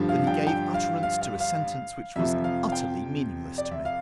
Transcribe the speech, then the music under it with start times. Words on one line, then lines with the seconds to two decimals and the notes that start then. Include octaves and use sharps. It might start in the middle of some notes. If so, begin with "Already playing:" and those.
Then he gave utterance to a sentence which was utterly meaningless to me.
Already playing: G2 D3 F3
0.09 F5
0.27 G5
0.47 G5
0.74 F5
1.03 F5
1.21 F5
1.40 F5
2.16 F2 C3 F3 E5
2.44 F5
2.69 F5
2.72 G5
3.58 D5
3.71 E5
3.85 F5